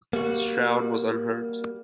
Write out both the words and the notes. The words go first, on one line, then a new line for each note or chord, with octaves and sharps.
Stroud was unhurt.
G3 A#3 F#4